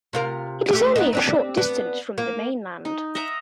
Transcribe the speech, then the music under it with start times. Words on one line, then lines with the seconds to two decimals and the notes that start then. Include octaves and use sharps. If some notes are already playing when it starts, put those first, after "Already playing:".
It is only a short distance from the mainland.
0.13 C3 F4 A#4
0.73 A3 G4
0.96 B3 D#4
1.13 C4 D4 G4
1.57 B3 D4
2.18 A#3
2.85 D#4
3.15 D#5 E5 F#5 A#5